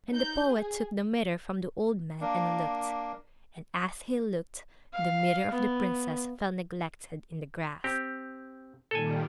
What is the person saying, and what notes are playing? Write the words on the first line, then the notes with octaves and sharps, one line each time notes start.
And the poet took the mirror from the old man and looked; and, as he looked, the mirror of the princess fell neglected in the grass....
D#4 G6
G#4
A#3 D4
F5
B3
C4 G4
A#2 D#3 G3 A4 G#5